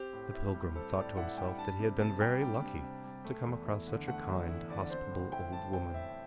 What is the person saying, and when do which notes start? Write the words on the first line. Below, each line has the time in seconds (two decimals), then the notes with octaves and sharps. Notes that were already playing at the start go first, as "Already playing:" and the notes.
The pilgrim thought to himself that he had been very lucky to come across such a kind, hospitable old woman.
Already playing: C4 G4
0.13 A2
0.34 E4
0.55 G3
0.75 C4 A4
0.96 A2 D5
1.17 E4 F#5
1.37 G3 G5
1.58 D4 A5
1.79 C3
1.99 C3 A5
2.21 G3 G5
2.41 D4 G5
2.62 C3
2.83 C3
3.03 G3
3.24 A3
3.45 E2
3.66 E4
3.87 D3
4.07 A3 F#5
4.28 E2
4.49 E4
4.69 D3 D5
4.90 C4 C5
5.11 A2
5.32 E4 G5
5.52 G3 A5
5.73 C4 G5
5.94 A2 E5